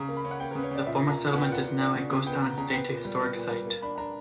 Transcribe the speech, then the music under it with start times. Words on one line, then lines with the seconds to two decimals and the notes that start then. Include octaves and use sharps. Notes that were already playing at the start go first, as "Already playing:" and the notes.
The former settlement is now a ghost town and state historic site.
Already playing: C#3 A#5
0.09 A#3
0.17 B5
0.25 C#4
0.31 F#5
0.40 A#3 G5
0.51 A#4
0.55 C#3 B4
0.63 C#5
0.71 C#3 D5
0.87 A#2 E5
1.02 A#2
1.10 A#5
1.17 A#2
1.33 B3 F#5
1.42 G5
1.48 A#2 F#5
1.64 A#2
1.80 D4
1.96 C#3
2.11 C#3
2.26 B3 G5
2.42 B3 A#5
2.58 C#3 A#5
2.73 B3 G5
2.88 A#2
3.05 G3
3.20 B3
3.35 A#2
3.51 G3
3.67 A#3
3.82 D4 B5
3.98 D4 A#5